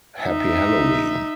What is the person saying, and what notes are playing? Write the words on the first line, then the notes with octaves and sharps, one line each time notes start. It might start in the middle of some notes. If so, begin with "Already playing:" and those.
Happy Halloween!
D#4 E5